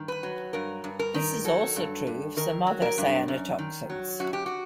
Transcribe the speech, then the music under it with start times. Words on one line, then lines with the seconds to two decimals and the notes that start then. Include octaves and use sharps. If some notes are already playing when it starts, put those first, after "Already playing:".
This is also true of some other cyanotoxins.
Already playing: G2 D#3
0.08 B4
0.23 F#3
0.53 G2 A#4
0.84 G2
0.99 A#4
1.14 D#3
1.44 F#3 A4
1.76 G2
2.07 G2
2.37 D#3 A#4
2.67 F#3
2.82 A#4
2.98 G2
3.28 F#2
3.59 D#3
3.90 F#3
4.20 F#2 F#4
4.33 G4
4.46 F#4